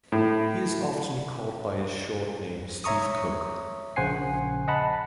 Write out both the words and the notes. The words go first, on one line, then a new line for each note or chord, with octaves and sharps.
He is often called by his short name Steve Cook.
A2
C#5 E5 A#5 C#6 D#6
A#1 C#3 C5 F#5 G#5 C7
D#5 F#5 A5 B5